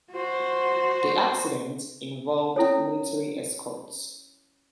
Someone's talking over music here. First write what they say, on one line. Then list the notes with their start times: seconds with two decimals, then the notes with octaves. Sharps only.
The accident involved military escorts.
0.12 F#4 C5
2.56 C#4 E4 A4 C#5